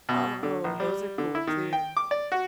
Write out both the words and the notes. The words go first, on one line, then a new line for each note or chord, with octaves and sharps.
Oh, those are cool too.
B2
D3
A#1
G3
D3
E4
D#3
G5
D6
D5
F#4